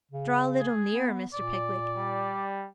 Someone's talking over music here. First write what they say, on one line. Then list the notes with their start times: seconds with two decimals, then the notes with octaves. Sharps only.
Draw a little nearer, Mr. Pickwick.
0.12 C#3
0.59 G#4
0.92 B3
1.33 A#2 D5
1.97 G3